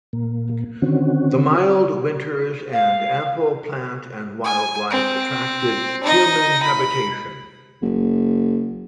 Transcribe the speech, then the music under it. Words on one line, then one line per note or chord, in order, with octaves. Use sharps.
The mild winters, and ample plant and wildlife attracted human habitation.
A#2 A#3
D3 D#3 C4 C#4 F#4
F5
G#5
C4
D#4 D#5
B5
F#1